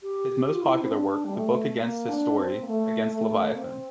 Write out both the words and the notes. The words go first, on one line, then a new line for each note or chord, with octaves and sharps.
His most popular work, the book Against His-Story, Against Leviathan!
G4
G4
F4
E4
C4
D4
G3
A3
A3
A#3
D4
C4
A#3
A3
A3
A#3
C4